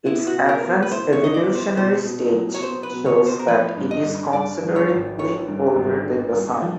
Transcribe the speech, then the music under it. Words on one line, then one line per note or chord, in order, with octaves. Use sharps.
Its advanced evolutionary stage shows that it is considerably older than the Sun.
B3 E4
F#4
B2
A#4
B3
B4
E4 C5
C#5
E4 D#5
D5
B3
C5
B2 C5
B2
F#3
C#5
B3 C5
B4
B2
C#5
B3
C5
A#4
F3 B4
G2
D#5
G2
G2 D5
F3
C#5
G#1
D3 C#5
G2
G#1
D3
G2
F3